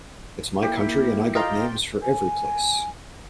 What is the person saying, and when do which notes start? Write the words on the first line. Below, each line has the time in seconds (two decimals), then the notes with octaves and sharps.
It's my country and I got names for every place.
0.63 A#3 E4 G4
1.35 F4 D#5 F5 G5 A#5
2.02 G#5